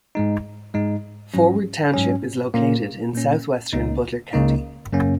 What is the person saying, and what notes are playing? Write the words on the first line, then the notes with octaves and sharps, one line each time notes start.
Forward Township is located in southwestern Butler County.
G#2 G#3 D#4
G#2 G#3 D#4
G#2 F#3 C#4
G#2 F#3 C#4
A#2 A#3 C#4
A#2 A#3 C#4
C#2 C#3 A#3 D#4
C#2 C#3 A#3 D#4
F#2 C#3 A#3 C#4